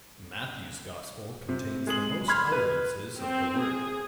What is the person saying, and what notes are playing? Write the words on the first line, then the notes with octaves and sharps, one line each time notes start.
Matthew's gospel contains the most utterances of the word.
C3
G#3 G#4 F#7
B5 C6 F6 G#6
B4
C4
G#4